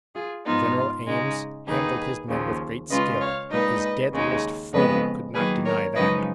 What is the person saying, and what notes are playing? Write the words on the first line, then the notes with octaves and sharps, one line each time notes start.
General Ames handled his men with great skill; his deadliest foe could not deny that.
F4 G#4
G#2 F3 B3 D#4 F4
C#3 G#3 D#4
D#2 D#3 A#3 D#4 G#4 B4
D#2 C#3 F3
C#3 G#3 C#4 F4 B4 D#5
C#5 F5
A#2 G#3 D#4 B4 D#5
D#2 C#3 G#3 D#4
F2 C#3 F3 G#3 B3 B4 D#5
D#3 F#3 A#3 G#4 B4
A#4 C#5
F#2 C#3 F3 G#3 D#4 B4 D#5